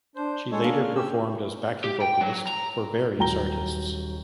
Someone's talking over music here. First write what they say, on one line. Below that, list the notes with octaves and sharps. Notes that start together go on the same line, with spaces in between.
She later performed as backing vocalist for various artists.
D4 C5
G#3 G#4 A4 C#5
A#3 D4
F6
C#4 G4 E6
G4
G5
F#3
A#5
D#1 F#3 G5 A#5 G7